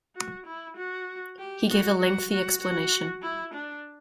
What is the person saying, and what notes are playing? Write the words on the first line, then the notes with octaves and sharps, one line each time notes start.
He gave a lengthy explanation.
F#4
E4
F#4
G4
F#4
F#4
F#4
F#4
E4
D4